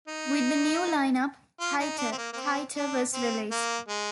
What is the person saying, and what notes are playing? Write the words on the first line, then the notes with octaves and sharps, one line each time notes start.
With the new line-up, "Tighter, Tighter" was released.
D#4
F4
D#4
D4
C4
A#3
A#3
C4
D4
C4
A#3
G#3